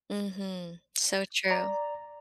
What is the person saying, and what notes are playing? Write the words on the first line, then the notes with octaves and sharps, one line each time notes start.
Mhm, so true.
D5 A#5